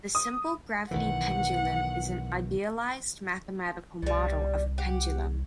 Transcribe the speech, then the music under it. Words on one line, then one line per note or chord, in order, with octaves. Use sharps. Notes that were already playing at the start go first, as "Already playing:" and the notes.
The "simple gravity pendulum" is an idealized mathematical model of a pendulum.
D#6
B1 D#3 E3 F#5
C2 B2 G3
G4 F#5